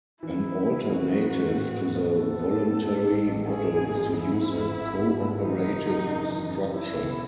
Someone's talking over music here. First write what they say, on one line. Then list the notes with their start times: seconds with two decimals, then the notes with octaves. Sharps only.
An alternative to the voluntary model is to use a co-operative structure.
0.22 E3 E4
0.43 D#4
0.66 D#4
0.87 E3 F#4
1.09 D#4
1.30 G#2
1.53 A2
1.74 B3
1.95 B3
2.17 B3 A4
2.39 B3
2.61 A2
2.83 G#2
3.04 A1
3.26 A1
3.47 A3 G#4
3.68 F#3
3.90 G#2
4.12 G#2 E4
4.33 G#2
4.55 G#1
4.76 G#1
4.99 G#1
5.20 G#2
5.42 E3 D#4
5.64 F#1
5.86 F#2
6.07 F#1
6.28 E3
6.50 F#2
6.72 C#4 E4
6.94 B1